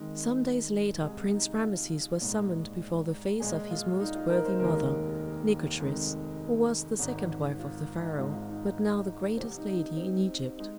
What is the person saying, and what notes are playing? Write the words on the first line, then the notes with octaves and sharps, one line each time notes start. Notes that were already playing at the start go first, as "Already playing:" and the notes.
Some days later Prince Rameses was summoned before the face of his most worthy mother, Nikotris, who was the second wife of the pharaoh, but now the greatest lady in Egypt.
Already playing: F2 D#3 G#3
C2 C3 G#3 G#4
D#4
F4
A#1 G#2 G#3
A#1 A#2 G#3 G#4
F4
D#4
F4
A#4
C5
F1 D#2 D#3 G#3 A#4
F1 F2 D#3 G#3
G#1 G#2 D#3
F4
D#4
G#1 G#2 G#3 F4
F4
D#4
D#4
C2 C3 F3 C4
D#4
D#4
C4
G#3 D#4